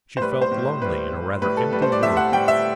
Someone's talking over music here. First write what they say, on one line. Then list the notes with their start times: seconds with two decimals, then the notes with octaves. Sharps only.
She felt lonely in a rather empty world.
0.17 C5
0.21 A2 G3 B4
0.32 B4
0.42 C5
0.51 A2 G3
0.82 A2 G3 B4
1.12 A2 G3
1.42 A2 G3 B4
1.57 A4
1.72 A2 G3 B4
1.82 C5
1.92 D5
2.02 A2 G3 E5
2.17 F#5
2.32 A2 G3 G5
2.48 E5